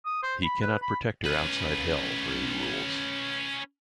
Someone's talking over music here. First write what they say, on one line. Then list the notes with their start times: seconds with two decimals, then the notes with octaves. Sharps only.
He cannot protect her outside Hell, where he rules.
0.06 D#6
0.23 C5
0.44 B5
0.62 B4
0.82 B5
1.26 C#4 B4